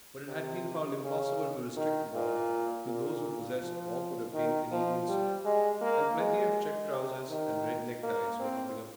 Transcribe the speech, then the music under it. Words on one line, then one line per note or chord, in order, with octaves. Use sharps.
But it had been found impossible to restrict the ball to those who possessed or could obtain an evening suit, and plenty of check trousers and red neckties were hopping about.
C3
C#3
D#3
A#2
A#2
F3
D#3
F3
G3
G#3
A#3
G#3
C3
D#3
A#3
C4